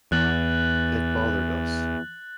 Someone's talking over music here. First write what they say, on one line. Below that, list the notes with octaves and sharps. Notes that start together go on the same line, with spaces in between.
It bothered us.
E2 F#6 A6 F#7